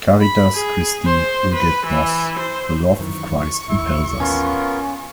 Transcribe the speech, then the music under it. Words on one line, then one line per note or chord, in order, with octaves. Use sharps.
"Caritas Christi Urget Nos" -The Love of Christ Impels Us.
B5
G#4
C5
B4
E3
C5
F#2 D#3 E3 C#6
A1 D#2 E4
B3 C#4 F4 A#4